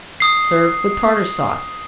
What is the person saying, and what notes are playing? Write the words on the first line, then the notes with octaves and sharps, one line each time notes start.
Serve with Tartar Sauce.
D#6 C7